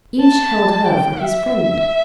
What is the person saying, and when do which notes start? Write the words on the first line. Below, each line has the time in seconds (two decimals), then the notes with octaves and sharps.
Each held her for his friend.
0.20 A5
0.86 G5
1.20 E5